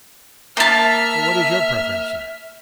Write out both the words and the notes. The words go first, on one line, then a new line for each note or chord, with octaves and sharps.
"What is your preference, sir?"
A#3 E5 A5 F6